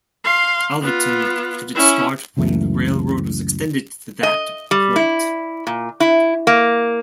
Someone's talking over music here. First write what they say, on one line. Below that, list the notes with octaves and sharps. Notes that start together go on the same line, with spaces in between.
Alvordton had its start when the railroad was extended to that point.
F5 C6
B3 F4
C#4 E4
C#2 F#2 E3 A3
D#5
G3
E4
A#2
E4
A#3